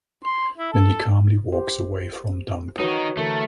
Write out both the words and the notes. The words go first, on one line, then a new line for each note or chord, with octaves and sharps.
Then he calmly walks away from dump.
C6
E4
A4
G4 C5
D#3 D#4 F#4 B4 C#5
D3 E3 A3 A#4